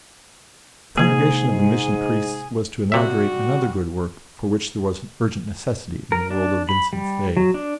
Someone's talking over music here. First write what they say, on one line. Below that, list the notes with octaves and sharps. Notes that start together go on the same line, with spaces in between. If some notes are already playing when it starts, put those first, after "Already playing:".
The Congregation of the Mission Priests was to inaugurate another good work for which there was an urgent necessity in the world of Vincent's day.
G#2 C3 A#3 G#4 G#6
C3 G3 F#4 E5
A#4
D4
B5
G3
F#3
D4